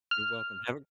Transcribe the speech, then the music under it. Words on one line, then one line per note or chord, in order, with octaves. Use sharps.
You're welcome, have a
F6